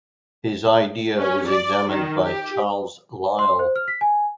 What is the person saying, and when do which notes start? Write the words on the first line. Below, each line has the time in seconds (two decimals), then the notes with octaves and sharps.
His idea was examined by Charles Lyell.
1.18 C#4
1.49 D5
1.90 D#3
2.25 G4
3.39 C6
3.59 C5
3.76 F6
3.88 B6
4.01 G#5